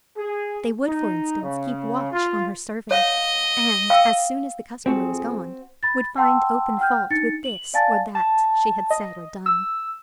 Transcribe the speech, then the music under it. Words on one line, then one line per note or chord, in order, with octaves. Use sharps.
They would, for instance, keep watch on her serving, and, as soon as the customer was gone, would find open fault with this or that she had said or done.
G#4
D#4
C#3
F4
C#5 D#5 F5 F#5
F5 G5 E6
F2 C4 F#4 G#4
B5 A6
F#5 G5 A5 C6 E6
F#5 G5 F6 G6
D4 D#4 A6 C#7
F#7
D5 F5 G#5 A5 A6
A5
D#5
E6